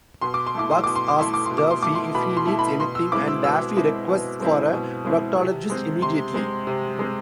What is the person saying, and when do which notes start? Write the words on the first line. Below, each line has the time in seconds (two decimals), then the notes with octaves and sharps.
Bugs asks Daffy if he needs anything and Daffy requests for a proctologist immediately.
0.21 B2 C6
0.34 D6
0.47 C6
0.54 A3 E4 D6
0.71 C6
0.84 B2 D6
0.96 C6
1.08 D6
1.19 A3 E4 C6
1.34 D6
1.45 C6
1.51 B2
1.58 D6
1.70 C6
1.83 A3 E4 D6
1.95 C6
2.15 B2 B5
2.37 C6
2.47 A3 E4
2.59 B5
2.80 B2 C6
2.95 E6
3.12 G#3 C4 E4 D6
3.28 E6
3.44 B2 E6
3.76 G#3 C4 E4
4.09 B2
4.40 G#3 C4 E4
4.73 B2
5.05 G#3 C4 E4
5.38 C3
5.70 G#3 C4
6.02 C3 C6
6.34 G#3 C4
6.67 C3
6.99 G#3 C4